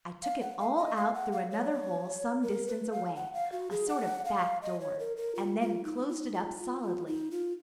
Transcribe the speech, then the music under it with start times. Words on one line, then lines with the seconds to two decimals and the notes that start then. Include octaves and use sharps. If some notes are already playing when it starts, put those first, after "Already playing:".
I took it all out through another hole some distance away, a sort of back door, and then closed it up solidly.
0.23 F5
0.41 F#5
0.59 F5
0.77 D#5
0.96 F5
1.14 F#5
1.32 F5
1.50 C#5
2.42 A#4
2.67 B4
2.92 F5
3.16 F#5
3.34 F5
3.52 F#4
3.71 G#4
3.89 F#5
4.25 F5
4.62 D#5
4.80 C#5
4.99 A#4
5.17 A#4
5.35 F4
5.60 F4
5.84 D#4
6.09 F4
6.13 D#4
6.34 F4
6.58 F4
6.82 F4
7.07 D#4
7.31 F4